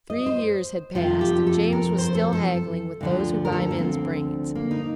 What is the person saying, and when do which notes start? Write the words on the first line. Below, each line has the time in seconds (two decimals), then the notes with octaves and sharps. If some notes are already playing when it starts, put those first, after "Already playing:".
Three years had passed, and James was still haggling with those who buy men's brains.
0.10 D#5
0.26 C5
0.95 F2 C3 F3 F4
1.21 G4
1.47 A4
1.73 A#4
1.98 C5
2.15 A4
2.33 A4
3.01 D2 D3 F3
3.45 A#4
3.52 A4
3.71 A#3
3.79 C4
4.55 A#3
4.71 D#4